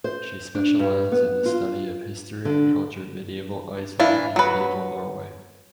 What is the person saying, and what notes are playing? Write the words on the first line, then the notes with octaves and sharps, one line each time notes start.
She specializes in the study of history and culture Medieval Iceland and Medieval Norway.
C5
D4
G2
B3
F4
D3
E3 D4 E4 F5
F#3 B4